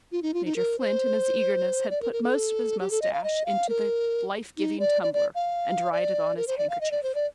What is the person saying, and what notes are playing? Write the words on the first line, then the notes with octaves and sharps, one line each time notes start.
Major Flint in his eagerness had put most of his moustache into the life-giving tumbler, and dried it on his handkerchief.
F4
D#4
F4
D#4
A#4
C5
D5
A#4
A#4
A4
G4
A4
D#5
F5
D#5
F5
A#4
D#4
D5
D5
D5
F5
D5
A#4
C5
D5
F5
D#5
D5
C5
D5